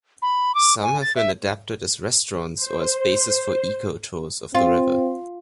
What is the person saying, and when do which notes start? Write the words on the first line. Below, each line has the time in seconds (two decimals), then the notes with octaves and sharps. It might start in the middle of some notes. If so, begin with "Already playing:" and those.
Some have been adapted as restaurants or as bases for eco-tours of the river.
0.22 B5
0.55 D6
0.83 G#5
1.02 A6
1.16 E5
2.55 C5
4.55 C4 F4